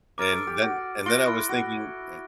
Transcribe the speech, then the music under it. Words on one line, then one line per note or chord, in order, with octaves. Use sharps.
And then and then I was thinking and
A#4 D6 F6 A6 D7
A4
G4
F#4
F4 F#6 A#6 D7 G7
E4
F#4